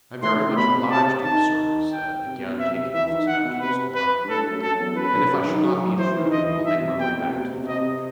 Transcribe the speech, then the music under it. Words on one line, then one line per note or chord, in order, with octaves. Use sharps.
"I'm very much obliged to you, sir," he said, again taking off his hat to the squire, "and if I shall not be intruding I'll make my way back to the village."
A2 C6
B2 B5
C3
A5
D#3 A5
G5
C3
B2
B2
C3 E5
E3 E5
D#3
D#3 F#5
B2
C3 B4
B4
G2
A2 A4
G2
F#2
F#2 A4
E2
F#2 B4
G2
F#2
D#3
F#3
E3 C5
D#3
E3 D#5
D#3
E3 E5
B2
C3
B2 G5
A2
C3
B2
C3
B2
C3 D#5